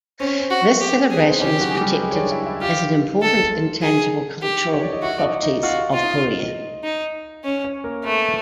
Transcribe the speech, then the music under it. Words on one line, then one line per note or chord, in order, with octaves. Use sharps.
This celebration is protected as an Important Intangible Cultural Properties of Korea.
C4 C#4
C4
F#4
C4
G4
G#4
B3
C4
C#3 C#4 G4
F#3 F#4
G#4
G3 G4
G#3 G#4
C#5
D4 D5
E4 E5
E4 E5
F4 G4 F5
A4
G#4
G4
C#5
D5
D#5
E4 F#4 E5
D5
D#4 D#5
D#4 D#5
F4 F#4 F5
F4
D#4 D#5
D#4
C#4
C#4 C#5
A#3 A#4
A3 B3 B4